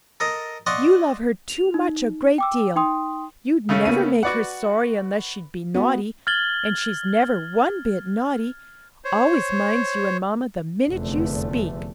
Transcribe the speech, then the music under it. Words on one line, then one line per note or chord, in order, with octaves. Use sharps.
"You love her too much a great deal; you'd never make her sorry unless she'd be naughty; and she's never one bit naughty,--always minds you and mamma the minute you speak."
A4 A#4 D#5
D5 D#5 F5 F#5 C6 C#6
F7
D#4
G5 D6 E6
D#4 G5 C6 D#6
C#3 A3 C#4
A#3 B3 D#7
F#4 B4 D5 F#5
B3 F#4
F6 G#6 A6 F#7 G7
C5 C#5
F1 E2 D3 A3